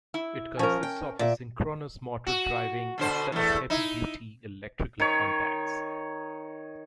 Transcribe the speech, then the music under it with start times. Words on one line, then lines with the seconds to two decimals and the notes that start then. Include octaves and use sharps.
It consists of a synchronous motor driving a set of heavy-duty electrical contacts.
0.14 E4
0.59 F3 C#4 A#4
0.83 G5
1.19 A#2 D5 E5
2.27 F#4
2.98 B2 D3 C5
3.32 E2 A3
3.70 D#4 E4
5.00 D#3 C#5